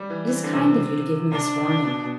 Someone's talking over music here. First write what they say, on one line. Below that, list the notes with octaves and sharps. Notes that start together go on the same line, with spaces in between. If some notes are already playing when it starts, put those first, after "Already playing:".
It is kind of you to give me this warning.
Already playing: G3
E3
E3 C4
D3
C3
C3 D4
C3
B2
B2